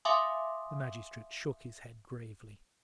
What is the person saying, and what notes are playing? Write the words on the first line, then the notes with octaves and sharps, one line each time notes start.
The magistrate shook his head gravely.
E5 F5 G#5 C6 D6 D#6